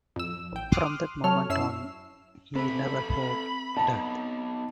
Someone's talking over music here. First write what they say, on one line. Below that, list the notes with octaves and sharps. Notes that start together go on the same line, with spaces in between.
From that moment on he never feared death.
F2 E6
A1 G5
C6 D6 D#6 F6 F#6
F#3 A4 C#5 F6
F#2 C#4 E4 E6 C7 E7
C4 A4 B4 E5 B5
B3 D#4 A5